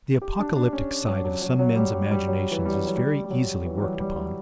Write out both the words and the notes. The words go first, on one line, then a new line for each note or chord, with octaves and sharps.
The apocalyptic side of some men's imaginations is very easily worked upon.
G4
D4
D4
C#4
F#3
F#3
F#3
F#3
G3
G3
G3
F#3
E3
G3
F#3
F#3
G3
G3
F#3
E3
G3
F#3
F#3
G3
F#3